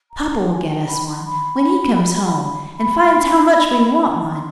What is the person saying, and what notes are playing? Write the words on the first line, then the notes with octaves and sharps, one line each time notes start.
"Papa will get us one when he comes home and finds how much we want one."
A#5
A5
G#5
A5
B5
C6
B5
B5
C6